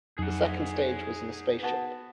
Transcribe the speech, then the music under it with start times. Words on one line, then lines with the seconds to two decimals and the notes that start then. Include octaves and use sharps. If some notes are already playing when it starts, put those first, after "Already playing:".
The second stage was in a spaceship.
0.19 F2 F#3 D#4 G#4 F#5
1.63 B3 F#4 A5